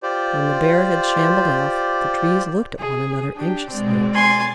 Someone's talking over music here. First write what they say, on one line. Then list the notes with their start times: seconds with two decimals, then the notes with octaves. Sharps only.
When the Bear had shambled off, the Trees looked at one another anxiously.
0.03 F4 G4 C5 D5
2.79 G#4
3.36 D4 G4
3.71 B2 G#3 C4 D5
4.14 G#5 C6 A6